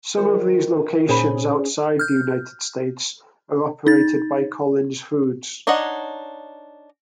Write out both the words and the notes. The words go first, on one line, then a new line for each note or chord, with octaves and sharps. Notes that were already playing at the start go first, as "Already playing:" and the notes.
Some of these locations outside the United States are operated by Collins Foods.
D#3 F4 C5
A#2 C#4 D#4 G#4 C5 B5
F6 G6
D#4 A6
D4 D#4 C#5 D#5 F#5